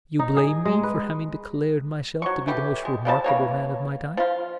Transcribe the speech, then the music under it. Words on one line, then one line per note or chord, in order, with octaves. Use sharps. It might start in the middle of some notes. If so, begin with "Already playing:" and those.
You blame me for having declared myself to be the most remarkable man of my time.
D#4
G#4
G#3
B4
F#3 C#6
E3 A3 G4
G#3
F3 G3 D#4 A5
E3 A#3 C#5
F3 F4